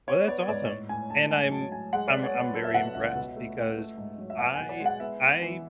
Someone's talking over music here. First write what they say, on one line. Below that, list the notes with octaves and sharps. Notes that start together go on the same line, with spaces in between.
Well, that's awesome. And I'm I'm I'm very impressed because I I
B3 C#5
B3 D5
G#2 D5
A2
A2 G#5
A2 A5
G#2 G#5
F#3 A5
F#3 G#5
G#3 F#5
D5
B3
C#5
B3 B4
F#3 A4
E5
B2 F#5
C#2 E5
B2
A3
A3
A3
G#2
F#3
E5
B3 F#5
G#5
B2
D5
G#3
F#5
B3 E5
B3
E3